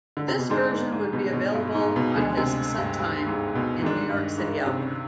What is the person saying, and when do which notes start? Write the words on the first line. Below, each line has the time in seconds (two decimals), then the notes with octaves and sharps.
This version would be available on his "Some Time in New York City" album.
0.17 D3
0.28 C3
0.38 B2
0.50 G#2 D3 G#3 D4 G#4 C5
0.71 G#2
0.92 G#2
1.13 B2
1.33 B2
1.54 G2
1.75 G#2
1.96 B2
2.16 D2 B2 D3 G#3 D4 G#4
2.37 C3
2.78 G2
2.99 G2
3.26 G#2
3.55 B2
3.82 G#2 D#3 G#3 D4
4.09 G2
4.38 G#2
4.66 C3